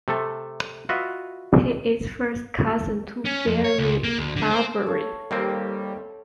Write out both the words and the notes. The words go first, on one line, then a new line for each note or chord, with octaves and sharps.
He is first cousin to Barrie Barbary.
C3 A3 A4
F4 F#4 B4 D#5 E5
C#4
F2
C#5
C#2
A#3
D2
D3
C4
A4 C#5 F5
D#2 G3 A#3 C4